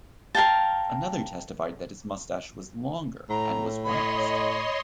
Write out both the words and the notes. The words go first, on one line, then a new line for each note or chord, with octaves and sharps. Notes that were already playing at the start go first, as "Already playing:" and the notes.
Another testified that his mustache was longer and was waxed.
A#4 F5 G5 A5
A2 A#5
C#5 D#5 B5 C6